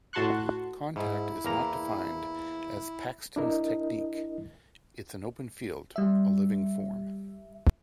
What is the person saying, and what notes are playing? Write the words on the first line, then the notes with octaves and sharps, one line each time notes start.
Contact Is not defined as "Paxton's technique", it's an open field, a living form.
A2 F#4 A5 C6 C#6 F#6
G#2 E4
E2 A#3 A#5
D4 E4 A#4 D#5
G3 E5